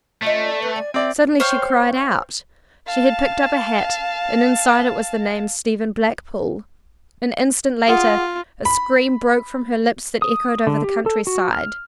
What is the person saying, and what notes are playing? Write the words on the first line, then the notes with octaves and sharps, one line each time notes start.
Suddenly she cried out--she had picked up a hat and inside it was the name "Stephen Blackpool." An instant later a scream broke from her lips that echoed over the country-side.
A3 C#4 F4 D#5
D5
C4 B4
D5 G#5
C4 D5 E5
C5 C#5 F5 G5
F5 A5
F4 G#4 F#5
B5
D#6
D3
G4
A4
F#4
F6